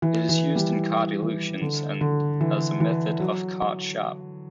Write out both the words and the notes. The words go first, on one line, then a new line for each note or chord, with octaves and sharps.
It is used in card illusions, and as a method of card sharp.
E3
E3
G3
E3
D3
D3
E3
E3
F#3